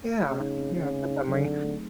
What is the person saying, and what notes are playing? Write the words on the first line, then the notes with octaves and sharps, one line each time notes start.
Yeah, yeah, definitely.
C#3 A3
D#4
C4
C#3 G#4
A3
D#4
D3 F#3
C4
A3